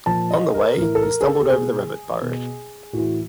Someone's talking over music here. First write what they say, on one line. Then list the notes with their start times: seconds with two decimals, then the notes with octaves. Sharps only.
On the way, he stumbled over the rabbit burrow.
0.06 A#2 F3 A5
0.31 D#5
0.54 A#4
0.78 A2 E3 A#4
0.95 A4
1.02 A#4
1.21 G#4
1.26 A4
1.41 G4
1.50 B2 G#4
2.22 B2
2.93 A2 E3 F#4